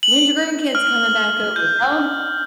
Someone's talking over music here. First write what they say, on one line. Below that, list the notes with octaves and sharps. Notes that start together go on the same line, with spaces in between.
when's your grandkids coming back over? Tell 'em
F#7
F6
G6